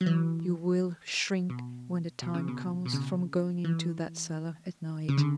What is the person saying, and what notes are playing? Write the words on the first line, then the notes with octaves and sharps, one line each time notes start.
"You will shrink, when the time comes, from going into that cellar at night."
F#3
E3
B2
B2
C#3
B2
B2
C#3
E3
C#3
D3